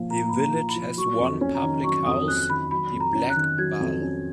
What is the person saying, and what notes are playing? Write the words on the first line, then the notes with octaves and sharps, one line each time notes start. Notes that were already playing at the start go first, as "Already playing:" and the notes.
The village has one public house, The Black Bull.
Already playing: A#2 F3 A#3 F4
A#3 A#5
A#2 B5
A#5
F4
B5
F3
F#3 C#6
F2
C#4
A#5
D#3
F#3 C#6
F2 D#6
C#4 F#6
D#3 B5
F#3 B5
F2
A#5
C#4
F#6
D#3
F#3 G#6
F2
C#4